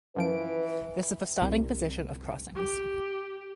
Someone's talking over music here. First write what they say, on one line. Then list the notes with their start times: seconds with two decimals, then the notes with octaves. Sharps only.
This is the starting position of Crossings.
0.16 F#2 E3 F3 B4 D7
1.42 C2 C3
2.55 G4